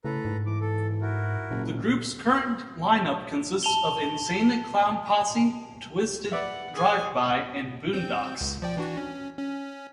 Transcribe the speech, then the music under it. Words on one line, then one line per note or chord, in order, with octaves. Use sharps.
The group's current lineup consists of Insane Clown Posse, Twiztid Drive-By, and Boondox.
A2 C#3 A4 B4 A#5
G#2
E3 D6
A4
E4 F#4 A#4
F#1 A#2
A5 F7 G7
B4 D5 E5 F#5
G#4 G#5
C4 G6
C#2
F3 D5 G5
E3 D4 F#4
C#4
C#4